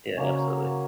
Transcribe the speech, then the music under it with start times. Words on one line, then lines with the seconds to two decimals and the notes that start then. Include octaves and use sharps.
Yeah, absolutely.
0.17 C#3 F#3 A#3 C#4